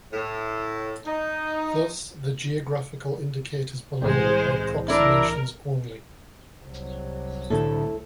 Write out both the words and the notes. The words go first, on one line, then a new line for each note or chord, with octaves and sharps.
Thus, the geographical indicators below are approximations only.
A2
D#4
C2 A2 E3 G#3 C5
D4 E4 A#4
C2 F#3
A2 D3 A3 E4 A4